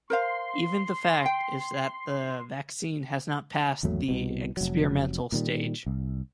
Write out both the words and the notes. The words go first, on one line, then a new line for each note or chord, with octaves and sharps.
Even the fact is that the vaccine has not passed the experimental stage.
A#4 C5 F5 C6
G5
G#1 E2 F#3 A3
C2 B2
F1 F#3
A#2 D#3 G3
C2